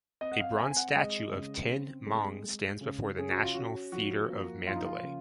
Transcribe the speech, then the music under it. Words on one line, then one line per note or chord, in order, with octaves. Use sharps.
A bronze statue of Tin Maung stands before the National Theatre of Mandalay.
C4 D#5
F#5
F5
C4 G#5
G#5
F#5
G#3 D#5
C#3
C4
G#3
G#3
C#3
C#4 G#4
F#4
F4
C#4 F#4
F3 F#4
A#3
F3 F4
D#4
F4
C#3